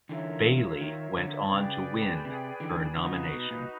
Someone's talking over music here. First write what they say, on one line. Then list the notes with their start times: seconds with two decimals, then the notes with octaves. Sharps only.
Bailey went on to win her nomination.
0.09 D3 E3 F4 A#4 C#5 E5
0.81 D#3
1.17 D3
1.53 C#3 G#4 B4 D5 G5
2.25 C3
2.60 D3 E3
2.97 D3 D#4 F#4 B4
3.14 C#3
3.33 B2
3.51 A#2